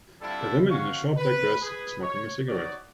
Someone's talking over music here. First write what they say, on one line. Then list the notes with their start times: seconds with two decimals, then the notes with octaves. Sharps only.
A woman in a short black dress smoking a cigarette.
0.22 G3 C4 D4 E4 F4 A4
0.69 C#4 F#4 F5 C#6
1.17 B4
1.63 G#4 B4
2.02 C#5
2.48 D#4 F#4 C#5 D5